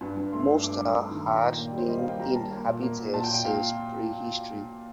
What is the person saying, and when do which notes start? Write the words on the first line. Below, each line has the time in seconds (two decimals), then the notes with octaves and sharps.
Mosta has been inhabited since pre-history.
0.01 G2
0.17 G2
0.32 A3 C6
0.48 G2
0.63 G2 D6
0.79 A3
0.95 G2
1.10 D#3
1.26 A#2 C6
1.36 A#5
1.42 A#2
1.47 G5
1.57 A#3 G5
1.68 D5
1.73 G3
1.78 C5
1.88 G3 D#5
1.99 F5
2.04 A#3
2.09 G5
2.20 G3 A#5
2.35 A#3 A5
2.51 A#3
2.67 A#2
2.82 A#3
2.98 A#2
3.14 A#2 A5
3.24 G5
3.29 A#2
3.34 G5
3.45 A#2 F5